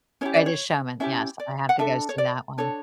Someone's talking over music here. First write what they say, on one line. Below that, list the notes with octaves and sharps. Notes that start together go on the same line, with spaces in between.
The Greatest Showman, yes, I have to go see that one.
C#4 E4 G4 C#5
D5
C#5
C#4 E4 G4 E5
D5
F#5
D4 A4 E5
C#5
D5
D4 A4 C#5